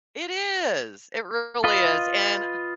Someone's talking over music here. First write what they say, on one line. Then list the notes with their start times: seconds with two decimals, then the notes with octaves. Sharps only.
It is, it really is, and
1.64 F4 B4 D#5